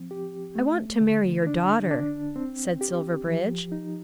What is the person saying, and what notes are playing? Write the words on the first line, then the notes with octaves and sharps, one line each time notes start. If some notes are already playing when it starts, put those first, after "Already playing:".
"I want to marry your daughter," said Silverbridge.
Already playing: F3 C4
G4
A3
D3
D4
D4
C4
G4
F3
D#4